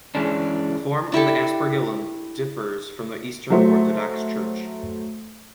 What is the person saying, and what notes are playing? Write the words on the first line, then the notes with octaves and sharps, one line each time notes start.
The form of the aspergillum differs in the Eastern Orthodox Church.
E3 G#3 C#4 D4
D4 E4 G4 A4
F#3 A3 C5